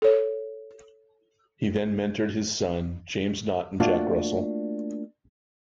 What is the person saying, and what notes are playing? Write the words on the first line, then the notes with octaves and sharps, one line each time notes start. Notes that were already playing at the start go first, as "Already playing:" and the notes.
He then mentored his son James Knott and Jack Russell.
A4 C#5
A3 A#3 D4 F4 F#4